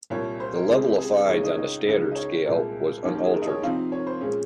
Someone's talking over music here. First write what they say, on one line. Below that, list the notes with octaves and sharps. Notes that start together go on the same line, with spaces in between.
The level of fines on the standard scale was unaltered.
C2 A#2 G3 C#5
C5
A#4
C#2 C#3 G3 C4 G#4
G4
G#4
C#2 C#3 G#3 D#4 C#5
D#5
C#5
D#5
C#2 C#3 G#3 D#4
D#5
C#5
C2 A#2 G#3 A#4
D#2 D#3 A#3 C#4
G4
G#4
A#4
D#5
C#5
C3 F3 C4 D#4 F5
C#5
C5
A#2 G#3 C#4